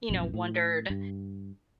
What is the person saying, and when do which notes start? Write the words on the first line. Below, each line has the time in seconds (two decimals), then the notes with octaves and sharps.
you know, wondered
0.10 A#1 F#2 A#2
0.34 A2
0.90 G2